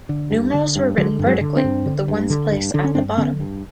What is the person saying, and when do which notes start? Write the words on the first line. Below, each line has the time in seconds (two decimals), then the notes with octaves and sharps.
Numerals were written vertically, with the ones place at the bottom.
0.09 D3
0.31 G2
0.54 D3
0.76 G2
0.97 D3 F#3 G#3
1.19 G2
1.26 F#3 G#3
1.41 D3
1.56 C4 D4
1.64 G2
1.86 D3
2.08 G2
2.30 D3
2.52 G2
2.74 D3 D4
2.84 C#4
2.95 G2 C4 D4
3.18 D3 B3 C#4
3.40 G2